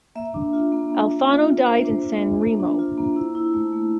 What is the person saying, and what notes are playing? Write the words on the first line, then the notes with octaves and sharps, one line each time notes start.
Alfano died in San Remo.
A#3 E5
D4
F4
A#3
A#3
D4
F4
A#3
A#3 C5
D4
F4
A#3
A#3
D4
F4
A#3
E4
E4
A3
A3